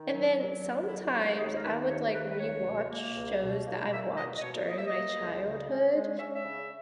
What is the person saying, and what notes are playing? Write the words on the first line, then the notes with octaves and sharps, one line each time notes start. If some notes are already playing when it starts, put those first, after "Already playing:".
and then sometimes, I would, like, rewatch shows that I watched during my childhood,
Already playing: D#3
F#3
F#3
D#2
F#3 E4
D#2 F#4
D#2 G#4
A#4
D#3 B4
D#2 C#5
D#3 B4
B4
C#2 C#5
B2
A#3
C#2
B2
A#3
A#3 E5
B2 D#5
D#5
B2 C#5
A#3 D#5
E5
D#5
A#3
C#2
C#3
C#4
G#3
C#4 E5
E5
C#3